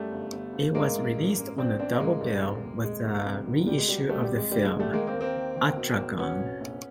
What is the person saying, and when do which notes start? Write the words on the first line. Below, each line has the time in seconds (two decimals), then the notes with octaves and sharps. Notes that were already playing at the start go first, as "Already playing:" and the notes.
It was released on a double bill with a reissue of the film "Atragon".
Already playing: F#2 G3 A3
0.12 G1
0.33 G1
0.53 G1
0.74 A1 G#3 A#3
0.95 A1
1.16 G2
1.37 A1
1.58 A1 C4 D4
1.79 A1 C4 D4
1.99 A1 G#3 A#3
2.21 G2
2.43 F1
2.63 D#2
2.84 F1 G#3
3.05 D#2
3.26 C2
3.46 B2
3.67 C2 G3
3.78 G#3
3.88 B2 G3
4.09 D3 G3 A3
4.23 G3
4.31 F2
4.38 G#3
4.52 F#1 G3
4.65 G#3
4.72 D3
4.79 G3 A3
4.93 D#3 G#3 A#3
5.07 A#3 C4
5.14 D#2
5.21 A#3 C4
5.36 D#3
5.56 D#3
5.77 B2
5.98 E2
6.18 B2 B3 C#4
6.40 F1
6.60 A#1